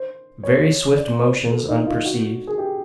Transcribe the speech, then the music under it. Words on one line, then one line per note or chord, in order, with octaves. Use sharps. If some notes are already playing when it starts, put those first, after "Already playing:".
Very swift motions unperceived.
Already playing: C5
C#5
D5
C5
A4
D#4
F4
F#4
G#4
G4